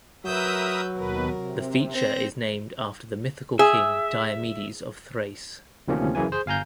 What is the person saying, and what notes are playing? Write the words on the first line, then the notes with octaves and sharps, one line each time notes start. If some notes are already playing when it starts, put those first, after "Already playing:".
The feature is named after the mythical king Diomedes of Thrace.
F#3 A#4 B4 E5 D#6 E6 G6
D#2 B2 A#4 B4
C3
C4 A#6
G#4 E5
D2 C3 D#3 F3 A#3 C#4
F#2 C#3 E3 G#5
G#4 C5
G1 F5 G#5 A#5 G6